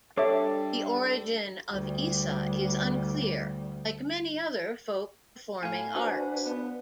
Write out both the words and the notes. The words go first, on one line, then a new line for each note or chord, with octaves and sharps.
The origin of Eisa is unclear like many other folk performing arts.
G3 D4 A4 C#5 E5 D6
D2 G3
A2 F5 G#5
D4 F#4 B4 C5
B3